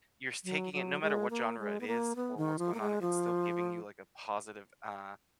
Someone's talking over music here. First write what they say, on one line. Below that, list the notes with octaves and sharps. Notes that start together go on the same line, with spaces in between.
you're taking it no matter what genre it is, or what's going on, it's still giving you like a positive, uh,
F#3
F#3
G#3
A#3
G#3
B3
A#3
B3
D#3
F3
A#3
G#3
F3